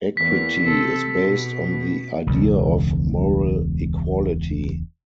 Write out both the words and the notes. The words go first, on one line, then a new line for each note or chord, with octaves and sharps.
Equity is based on the idea of moral equality.
E2 E3 A#3 B6
C3 C4 A4
B2
E1 C#2